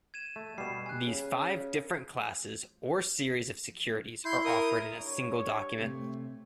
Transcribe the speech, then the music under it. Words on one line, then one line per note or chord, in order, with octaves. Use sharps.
These five different classes or series of securities are offered in a single document.
G#6 D#7 E7
A3
B2 G3 C7 E7
G#5 F#6
C#3
E4 C6 G6
A#4 D#6
G2 C#5
C3 A3